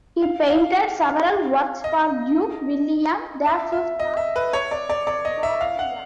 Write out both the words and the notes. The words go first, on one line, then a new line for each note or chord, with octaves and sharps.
He painted several works for Duke William the Fifth of Bavaria.
F5
F5
D#5
E5
E5
D#5
E5
B4
C#5
D5
D5
D5
D#5
E5
F5
F#5